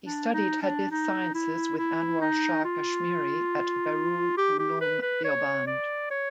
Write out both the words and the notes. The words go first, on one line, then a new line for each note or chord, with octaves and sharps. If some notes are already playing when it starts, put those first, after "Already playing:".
He studied hadith sciences with Anwar Shah Kashmiri at Darul Uloom Deoband.
D4
D#4
D4
D#4
E4
E4
D#4
F4
G4
G4
B4
B4
C#5
D5
C#5